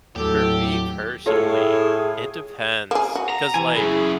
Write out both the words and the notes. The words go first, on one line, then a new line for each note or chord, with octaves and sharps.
for me personally, it depends. 'Cause, like,
D#2 A2 F#3 G4 A4
A2 F4 G#4 A4 C#5
A#3 G#4
F#4
A#5
E3 G#5
F#2 C#3 E4 G#4